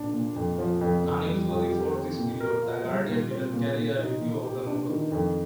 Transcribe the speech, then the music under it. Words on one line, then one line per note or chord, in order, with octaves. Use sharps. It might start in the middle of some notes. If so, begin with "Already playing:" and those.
Unusually for this period, "The Guardian" didn't carry a review of the novel.
Already playing: A#2 D4
A#2
F2
F3
F2
F2
G3
F2
G4
C4
A#2
A#4
F4
G3
A#2
C4
A#2
A#2
D#4
A#2
G4
D4
D#3
F2